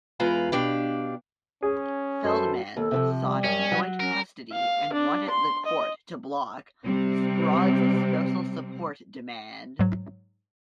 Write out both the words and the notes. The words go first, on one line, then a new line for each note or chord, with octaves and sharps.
Feldman sought joint custody and wanted the court to block Sprague's spousal support demand.
E2 G#3 F4 B4 F5 A#5
B2 D4 G4 F5
C#4 G#4
F#2 A4 B4 C5
D#2 A4
C3 D#3 F3
G3
F#2 C#4
F#3
C#4 A#4
F5
D4
C6
D#5
C3 G3 C4
G#2 F#3